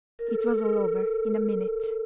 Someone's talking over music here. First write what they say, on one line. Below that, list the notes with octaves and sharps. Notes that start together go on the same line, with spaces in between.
It was all over in a minute....
A#4
A4
A4
A#4